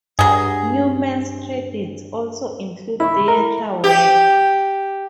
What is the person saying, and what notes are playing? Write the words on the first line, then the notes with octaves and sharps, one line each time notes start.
Newman's credits also include theatre work.
G2 F#3 G#4
E4 B5 C#6
E4 A#4
G4